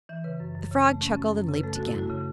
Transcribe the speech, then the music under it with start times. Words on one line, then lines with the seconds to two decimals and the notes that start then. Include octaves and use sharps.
The frog chuckled and leaped again.
0.09 E3 E5
0.24 C#3 B4
0.40 F#2
0.55 F#2
0.71 C#3
0.86 A3
1.02 C#4
1.17 F#2
1.33 F#2
1.48 C#3
1.54 B4
1.63 A3 A4
1.76 F#2 F#4
1.87 E4
1.95 A3 F#4
2.10 C#3